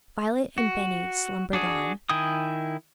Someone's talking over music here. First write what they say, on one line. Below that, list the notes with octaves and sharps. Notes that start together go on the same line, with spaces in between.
Violet and Benny slumbered on.
F#4
D4 F#4 G#4
D#3 E4 G5 G#5 D#6